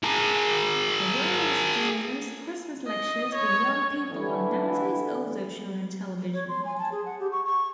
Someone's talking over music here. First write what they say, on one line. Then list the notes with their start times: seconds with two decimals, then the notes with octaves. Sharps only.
The Royal Institution's Christmas Lectures for young people are nowadays also shown on television.
0.04 G#4 A#4
2.87 D#5
3.35 C#5
4.10 D3 E3
6.33 C#5
6.49 C6
6.65 G#5
6.79 A5
6.92 G#4
7.06 F#5
7.20 G4
7.32 C#6
7.45 C#6